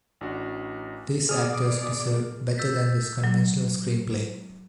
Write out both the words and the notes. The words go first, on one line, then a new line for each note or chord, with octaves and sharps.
These actors deserved better than this conventional screenplay.
A1 D4 F#4
B2 G#4 D5 G#5 D#6 F6
E6 G6 A6 B6
F#3